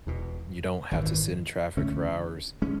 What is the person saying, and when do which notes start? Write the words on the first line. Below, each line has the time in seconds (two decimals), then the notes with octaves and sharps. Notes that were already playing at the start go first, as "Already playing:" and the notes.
you don't have to sit in traffic for hours.
0.06 E1 E2 B2
0.91 G#1 F#2 C#3 E3
1.77 D2 D3 A3 C#4
2.62 G#3 C#4